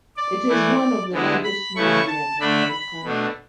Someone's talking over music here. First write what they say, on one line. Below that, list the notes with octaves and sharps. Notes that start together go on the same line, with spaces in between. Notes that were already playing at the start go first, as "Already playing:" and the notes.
It is one of the largest museums in the country.
D5
E3 A3 E4
D3 G#3 B3 E4
B5
C#3 E3 A3 E4 C#6
A5
D3 A3 D4 B5
B5
B2 A3 D4